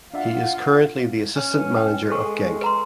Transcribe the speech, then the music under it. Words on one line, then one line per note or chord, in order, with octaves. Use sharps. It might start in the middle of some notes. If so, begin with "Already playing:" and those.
He is currently the assistant manager of Genk.
D4 F4 D5 E5 F#5
C#4
B4
G5
G#3 A4 C#6
B4 A#5 C6